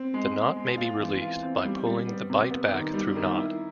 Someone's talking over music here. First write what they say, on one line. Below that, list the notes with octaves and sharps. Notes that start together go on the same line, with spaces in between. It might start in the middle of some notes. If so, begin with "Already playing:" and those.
The knot may be released by pulling the bight back through knot.
Already playing: C4
G#3
G#3
G#3
F4
E3
F4
C4
G3
G3
B3
C3
B3
D#3
G3
D#3
E4